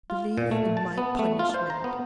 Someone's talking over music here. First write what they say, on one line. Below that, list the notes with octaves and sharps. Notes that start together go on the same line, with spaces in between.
"Believe in my punishment!"
F4
A#2
A3
A5
B3
A3
F4
C5
A#5
B3